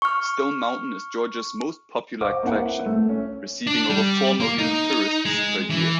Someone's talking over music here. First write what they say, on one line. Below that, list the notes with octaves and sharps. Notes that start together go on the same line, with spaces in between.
Stone Mountain is Georgia's "most popular attraction"; receiving over four million tourists per year.
C#6 F6
C5 D#5 F5 F#5 C#6 D6
A#3 C4 E4 B4 F#5
A3
C#4
D4
G3
A#3
D#4
G#3
E3